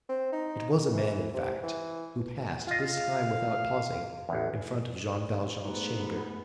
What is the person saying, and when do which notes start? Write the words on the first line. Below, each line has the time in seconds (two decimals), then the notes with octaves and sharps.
It was a man, in fact, who passed, this time without pausing, in front of Jean Valjean's chamber.
0.09 C4
0.32 D#4
0.93 E3
1.34 C3
1.63 E3
2.67 F4 D#5 F5
4.29 A1 E2
5.64 G#2 A3 B3